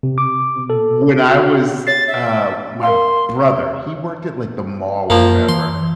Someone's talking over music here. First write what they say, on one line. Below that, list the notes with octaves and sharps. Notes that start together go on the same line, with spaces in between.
when I was, uh my brother, he worked at, like, the mall or whatever,
C3
D6
A4
F#4
C#5 A6 C7
E5
A#4 F5 C6
F#2 F3 A#3
E3 C6